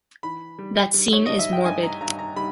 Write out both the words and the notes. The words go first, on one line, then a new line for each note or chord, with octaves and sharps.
That scene is morbid.
E3 B5
G3
G3
C#5
G2 D#5
E5
G5
G2 G#5
A#5
G2 A#5
A#5
G3 B5